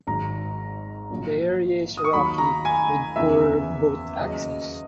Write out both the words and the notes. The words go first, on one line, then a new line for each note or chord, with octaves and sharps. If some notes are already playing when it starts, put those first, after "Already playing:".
The area is rocky with poor boat access.
G#1 G#2 D#3 F#3 A#5
A#1 A#2 F#3
D#6
C#6
D#2 D#3 F#3 B5
A#5
G#5
F#1 E2 C#3 E3 E5
D#2 C#3 F#3 D#5